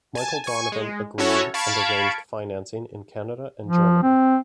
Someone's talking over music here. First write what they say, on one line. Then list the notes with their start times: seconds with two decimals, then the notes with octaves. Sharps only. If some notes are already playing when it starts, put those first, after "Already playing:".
Michael Donovan agreed, and arranged financing in Canada and Germany.
0.15 G#5 A5
0.44 G#5 C#6
0.72 G#3
1.18 C#4 E4 F#4 A4 C#5
1.54 F5 A5 B5 C#6 G#6 D7
3.66 F3
4.03 C4